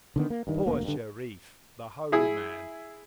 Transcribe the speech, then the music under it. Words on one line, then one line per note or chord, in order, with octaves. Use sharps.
Poor Shereef!—the holy man!
D3 D#3 B3
A#3
G2 D#3
E1 D2 A#3 B3
G2 D3
E4 G#4